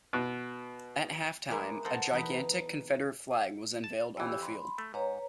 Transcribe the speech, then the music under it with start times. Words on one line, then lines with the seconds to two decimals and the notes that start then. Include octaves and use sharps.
At halftime, a gigantic Confederate flag was unveiled on the field.
0.13 B2
1.48 G#3 A#3 E4 G4
1.84 A4 A#4 C5 D#5 F#5
2.11 E2 D#4 B4
3.84 A5
4.17 F2 E3 G4 E6
4.42 B5 C6
4.78 A3
4.94 G#2 B4 C#5 A#5